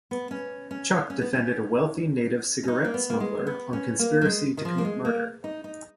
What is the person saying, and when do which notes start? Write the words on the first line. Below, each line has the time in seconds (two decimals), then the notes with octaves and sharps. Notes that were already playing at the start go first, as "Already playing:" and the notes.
Chuck defended a wealthy Native cigarette smuggler on conspiracy to commit murder.
0.11 B3
0.31 C#4
0.71 C#4
1.10 C#4
1.21 B3
1.33 C#4
2.63 C#4
2.68 D#4
2.85 A#3
2.94 B3
3.10 A#3
3.20 G#3
3.47 B3
3.73 C#4
3.99 A#3
4.21 F#3
4.25 G#3
4.57 D#3
4.65 F3
4.78 A#3
4.85 G#3
5.05 A#3
5.44 D#4
5.64 D#4